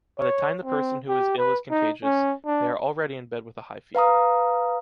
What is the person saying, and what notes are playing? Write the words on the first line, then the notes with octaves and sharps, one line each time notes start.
By the time the person who is ill is contagious, they are already in bed with a high fever.
C#5
C4
G4
B4
D#4
C#4
D4
B4 F5 A#5 D#6